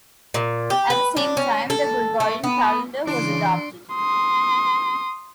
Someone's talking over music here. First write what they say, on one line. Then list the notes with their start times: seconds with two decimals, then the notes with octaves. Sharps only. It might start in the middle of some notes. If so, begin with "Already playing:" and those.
At the same time the Gregorian Calendar was adopted.
0.34 A#2
0.70 G4
0.90 B4
1.17 D4
1.37 C#4
1.70 A4
2.20 A3
2.44 B3
3.07 C#3 E3 D4 C6 D7
3.94 C6 D#6